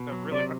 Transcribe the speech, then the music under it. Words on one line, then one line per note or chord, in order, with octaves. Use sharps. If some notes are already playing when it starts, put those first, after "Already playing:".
that really h
Already playing: B2
F#3
C3 D5